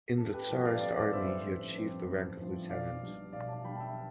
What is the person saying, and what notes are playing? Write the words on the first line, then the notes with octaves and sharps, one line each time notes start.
In the Tsarist Army he achieved the rank of lieutenant.
A1 A4
G4 B4
G2 F3 C4 E4 A4
D5 F5
A1 D5 F5
D5 F5
G2 F3 C4 E4 C5 E5
C5 E5
A1
G2 F3 C4 E4
A1
G2 F3 C4 E4
B1 D5 F5
B2 G3 D4
B1 D5 F5
F5 A5
B2 G3 D4 G5 B5
A5
E5 G5